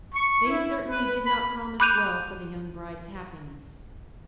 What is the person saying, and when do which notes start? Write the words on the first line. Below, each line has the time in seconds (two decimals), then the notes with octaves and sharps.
Things certainly did not promise well for the young bride's happiness.
0.14 C#6
0.46 E4
0.90 B4
1.25 B5
1.80 B5 D6 F#6 G6 D#7 F7